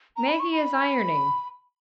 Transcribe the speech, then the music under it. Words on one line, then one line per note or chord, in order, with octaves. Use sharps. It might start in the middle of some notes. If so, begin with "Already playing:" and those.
"Maggie is ironing."
A#5
B5
C#6
B5